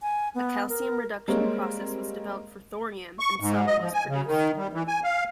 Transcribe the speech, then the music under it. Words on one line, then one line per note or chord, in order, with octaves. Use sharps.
A calcium reduction process was developed for thorium, and some was produced.
G#5
B3
A#4
G3 G#3 A#3 C4 A#4 C#5
C#6
G#2
D#5
F3
G#5
C#3
D#3
G3
E3
G#5
F5